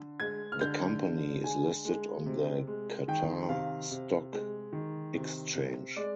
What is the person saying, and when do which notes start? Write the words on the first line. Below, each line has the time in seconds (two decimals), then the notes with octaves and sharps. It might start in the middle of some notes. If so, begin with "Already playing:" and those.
The company is listed on the Qatar Stock Exchange.
Already playing: D3
0.20 G#3 G#6
0.52 F6
0.61 D3 G6
1.03 D3
1.44 G#3 G#5
1.85 G#3
2.26 C3
2.67 G#3
3.08 D#3 G5
3.49 C3 F5
3.91 C3
4.32 G#3
4.73 D#3
5.15 C3
5.55 C3
5.96 G#3 D5